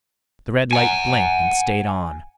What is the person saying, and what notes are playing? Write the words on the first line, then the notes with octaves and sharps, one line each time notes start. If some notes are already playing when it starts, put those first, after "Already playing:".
The red light blinked and stayed on.
F#5 G#5